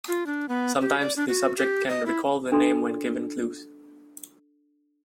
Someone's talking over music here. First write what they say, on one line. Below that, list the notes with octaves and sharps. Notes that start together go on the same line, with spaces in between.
Sometimes the subject can recall the name when given clues.
F4
D4
B3
G4
D5
D4
F#4
G4
D#5
E4
D4 A4 C6